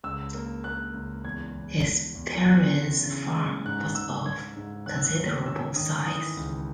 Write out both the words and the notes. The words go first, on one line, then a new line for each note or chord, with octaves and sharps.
His parents' farm was of considerable size.
C#2 E6
A#3
A#3 F#6
C#2
E2 G#6
E2
E2
E2
E2 F#6
C#3
C#3
G#3
G#2 F#6
G#2 E6
G#2 G#6
G#2
D#2 F#6
E6
F#6
D#2 F#6
C#4 E6
D#3 D#6
E3 D#6
C#2